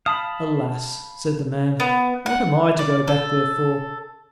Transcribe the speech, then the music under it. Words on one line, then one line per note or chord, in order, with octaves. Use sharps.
"Alas," said the man, "what am I to go back there for?"
F5 A5 B5 D#6
B3
F#5
D5
A4